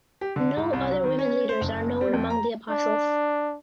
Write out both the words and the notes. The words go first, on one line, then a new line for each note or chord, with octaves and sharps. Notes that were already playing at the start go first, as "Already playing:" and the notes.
No other women leaders are known among the Apostles.
G4
D3
G#2
C2
F#3
D#3
C#4
C5
F#1
G3
F2
A#5
D4